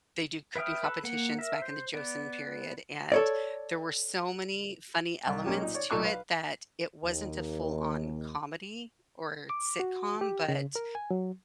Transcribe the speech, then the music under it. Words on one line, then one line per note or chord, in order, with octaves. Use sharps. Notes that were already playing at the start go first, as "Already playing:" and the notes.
they do cooking competitions back in the Joseon period. And there were so many funny elements to it that it wasn't a full-on comedy or sitcom, but
B4 E5 G5 D#6 F6
A4 B4
A#3 F#5
A#4 E5
C5
B3 D5
A4 C#5 D5
C2
B1 A#3 C#4 G4
A#2 D#4
C#5 D5
B1 A#2 A4 C#6 F#6
B4 F5
D#2
D6
F#4
G4
C#3
A#4
G#5
F#3